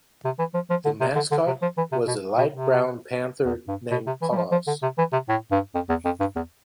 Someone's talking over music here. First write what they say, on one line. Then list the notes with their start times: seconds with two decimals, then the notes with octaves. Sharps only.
The mascot was a light brown "panther" named Paws.
0.25 C3
0.39 E3
0.54 F3
0.70 F3
0.85 D3
1.01 C3
1.16 D3
1.31 D3
1.47 C3
1.62 F3
1.77 E3
1.92 C3
2.08 B2
2.38 B2
2.53 C3
3.46 E2
3.68 G2
3.91 B2
4.07 C3
4.22 E3
4.32 G3
4.37 F3
4.52 F3
4.67 D3
4.83 C3
4.98 E3
5.13 C3
5.29 A2
5.51 G2
5.75 F2
5.89 E2
6.05 F2
6.20 G2
6.36 E2